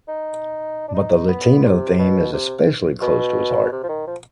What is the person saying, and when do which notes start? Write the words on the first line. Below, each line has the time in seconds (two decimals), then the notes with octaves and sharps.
But the Latino theme is especially close to his heart.
0.08 D#4
0.88 D4
0.94 D#4
1.29 B3
1.64 C3
1.99 B2
2.33 C3
3.02 B2
3.72 C3
3.83 F3
3.89 D#3
4.07 F3